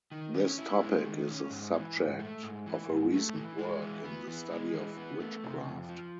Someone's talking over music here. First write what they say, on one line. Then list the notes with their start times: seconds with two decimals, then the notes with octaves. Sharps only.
This topic is the subject of a recent work in the study of witchcraft.
0.12 D#3
0.35 C#4
0.58 E4
0.81 G#3
1.04 D#3
1.28 C#4
1.50 G#2
1.74 E3
1.96 G#2
2.19 A3
2.43 G#2
2.66 E3
2.89 G#2
3.12 A3
3.35 E3
3.58 G#3
3.82 E3
4.04 B3
4.28 E3
4.50 G#3
4.74 E3
4.97 B3
5.20 A3
5.44 C3
5.66 F2
5.89 F3